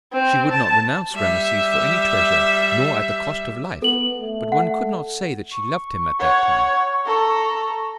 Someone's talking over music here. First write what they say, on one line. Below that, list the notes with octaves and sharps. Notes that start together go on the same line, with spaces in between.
She would not renounce Rameses for any treasure, nor at the cost of life, but one could not say that she loved him at that time.
C4
A5
G3 E5
B3 A4 F#7
A3
F#5
C#6
C#5 F#5
A4 A#5